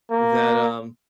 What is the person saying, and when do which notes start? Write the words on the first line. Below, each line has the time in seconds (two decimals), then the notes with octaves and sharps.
that, um,
0.11 A#3